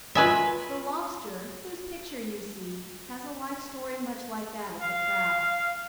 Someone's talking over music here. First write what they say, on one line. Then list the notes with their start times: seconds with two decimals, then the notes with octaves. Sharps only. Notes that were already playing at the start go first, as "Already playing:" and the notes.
The Lobster, whose picture you see, has a life-story much like that of the Crab.
0.15 A#3 F4 F#4 B4 D#5 E5 G#5 B5
4.81 F5